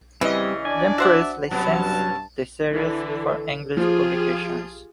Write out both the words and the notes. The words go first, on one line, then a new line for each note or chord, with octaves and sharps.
Yen Press licensed the series for English publication.
C#3 E3 G3 C4 C#4 D#5
D4 D5 G#5
F#4 C5 E5 F#5
G2 C3 F#3 B3 C#4 A5
D3 E3
F3 F4 G4 G#4